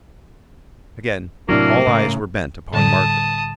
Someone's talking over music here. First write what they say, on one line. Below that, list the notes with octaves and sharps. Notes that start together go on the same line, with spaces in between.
Again all eyes were bent upon Margaret.
A2 C3 F#3 A#3 D4 E4 F6
A2 C#3 A#5
A2 D3 G3 A5 D#6